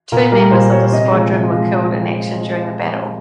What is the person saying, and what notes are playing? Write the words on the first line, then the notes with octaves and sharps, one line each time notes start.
Two members of the squadron were killed in action during the battle.
A#2 A#4
G3 A#4
A#2 C5
G3 C#5
C#5
C3 D#5
F3 G#3
C3
F3 G#3